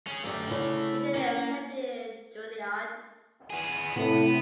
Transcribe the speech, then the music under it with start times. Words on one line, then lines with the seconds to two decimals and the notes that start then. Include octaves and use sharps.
He then attended Juilliard.
0.07 C#4 G#4
0.24 F#2 A3 G4 D5
0.50 C#3 E4 C#5
1.15 A#3 C#4
3.50 B3 G#4
3.96 A2 C3 B3